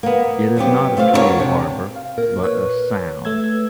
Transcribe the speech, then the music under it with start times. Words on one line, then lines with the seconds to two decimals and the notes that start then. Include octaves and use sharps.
It is not a true harbor, but a Sound.
0.03 A#3 B3
0.57 F#3 B3 C4 G4
0.97 A3 F4 C5 C#5 F5
1.13 D4 E4 F#4 A4 A#4 C#5
1.40 C3
1.96 F5
2.18 A#2 A#4
2.44 B4 C#5
3.25 A3 E6 G#6